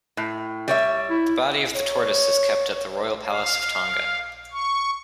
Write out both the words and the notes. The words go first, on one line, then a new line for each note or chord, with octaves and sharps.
The body of the tortoise is kept at the Royal Palace of Tonga.
A2
G3 C#5 E5
E4
C#5
F5
C#6